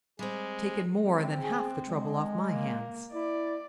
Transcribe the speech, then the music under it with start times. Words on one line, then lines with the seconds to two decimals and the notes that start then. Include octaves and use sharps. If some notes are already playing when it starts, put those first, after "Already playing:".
Taken more than half the trouble off my hands.'
0.19 G3 G#3 C4
1.05 C4
1.39 G#4
1.87 G#3
2.51 A#3
3.12 E4 D5